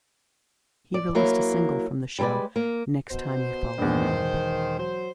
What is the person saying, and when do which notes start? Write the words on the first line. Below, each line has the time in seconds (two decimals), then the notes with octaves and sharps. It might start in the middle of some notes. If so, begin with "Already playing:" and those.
He released a single from the show, "Next Time You Fall in Love".
0.94 D5
1.15 F#3 A#3 E4
2.19 G3 G#3 A4 B4 D5
2.56 A#3
3.10 B2 C5
3.78 E2 G2 D#3
4.09 E1
4.79 F#3 C5